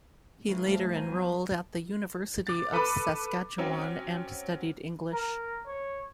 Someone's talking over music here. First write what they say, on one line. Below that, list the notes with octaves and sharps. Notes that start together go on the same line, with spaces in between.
He later enrolled at the University of Saskatchewan and studied English.
E3 F#3 G#3 D#4 F4
F2 A2 G3 A3 C4
G#5 A#5 C6 G6
F2 F#3 B3 G6
D6 A6
A4 B4 B5 D6
F#3 C4 C#4
A#4
C#5